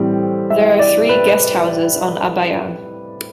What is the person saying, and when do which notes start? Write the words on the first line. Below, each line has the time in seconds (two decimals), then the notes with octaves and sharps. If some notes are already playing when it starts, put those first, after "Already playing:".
There are three guesthouses on Abaiang.
Already playing: A2 E3 G3 C4
0.50 E5
0.79 D5
1.09 B4